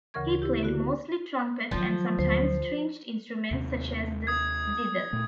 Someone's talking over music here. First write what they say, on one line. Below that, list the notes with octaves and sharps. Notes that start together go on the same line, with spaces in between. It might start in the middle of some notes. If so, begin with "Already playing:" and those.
He played mostly trumpet and sometimes stringed instruments such as the zither.
D2 C#3 E3 A#4 C#6 G#6
E4 G4
D3 B3 F#4
D#3 F3 F#3
D2 C5
D#2 C3 C4
D#6 G#6
A#2 A3